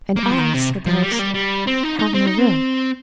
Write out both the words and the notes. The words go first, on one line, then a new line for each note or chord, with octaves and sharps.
"And I," said the host, "have no room."
A#3
G3
F3
D#3
C3
F3
G3
A#3
G3
G3
C4
D#4
D#4
C4
D#4
C4